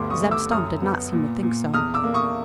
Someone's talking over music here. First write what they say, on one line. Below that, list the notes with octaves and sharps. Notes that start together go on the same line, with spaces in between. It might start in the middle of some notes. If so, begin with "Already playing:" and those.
Zeb Stump did not seem to think so.
Already playing: D2 G2 B3 C6 D6
C#6 D#6
A3
D6 E6
F#2 D#6 F6
B3
A#2
A#2
E2 D#6 F6
D6 E6
A#3
C#6 D#6